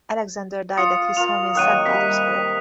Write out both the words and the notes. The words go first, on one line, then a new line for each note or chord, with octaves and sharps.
Alexander died at his home in Saint Petersburg.
F4 D#6 C#7
F4 A#4 F7
D#3 F#3 A#3 D#6 F#6 D#7
C3 G3 A#4 B6